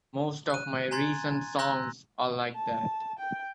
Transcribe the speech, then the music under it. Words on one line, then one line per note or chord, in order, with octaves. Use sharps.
Most of my recent songs are like that.
F#6 D#7
G#5 A#5 C6 G#6 A6
A#5 C6 E6 F#6 G6 A#6
A5
G5